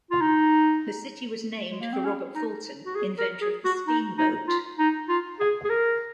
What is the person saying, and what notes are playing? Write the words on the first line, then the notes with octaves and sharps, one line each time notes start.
The city was named for Robert Fulton, inventor of the steamboat.
F4
D#4
G#3
A#3
C4
C#4
D#4
F#4
G#4
A#4
G#4
F#4
D#4
D#4
F4
D#4
F4
G#4
G#4
A#4